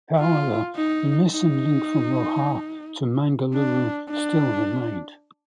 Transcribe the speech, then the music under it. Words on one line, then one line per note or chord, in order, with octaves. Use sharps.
However, the missing link from Roha to Mangaluru still remained.
F4
D#4
D#4
D4
D4